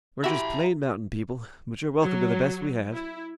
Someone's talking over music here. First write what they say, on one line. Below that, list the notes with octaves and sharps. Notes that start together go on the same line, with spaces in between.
We're just plain mountain people, but you're welcome to the best we have.
E4 F#4 G4 E5 G5 A#5 B5
F#3
E4